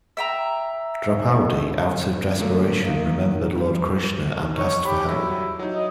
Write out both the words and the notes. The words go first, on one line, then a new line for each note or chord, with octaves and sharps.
Draupadi, out of desperation, remembered Lord Krishna and asked for help.
E5 G5 A#5
D3 F3 F#3 A3 A#3
F#2 D#3 A#3
E2 G3
D#4 C#5
G4 B5
F#3 G3 E4
F#3 D#4
D#5